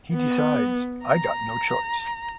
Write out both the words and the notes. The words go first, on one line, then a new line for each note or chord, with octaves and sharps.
He decides: I got no choice.
B3
A#5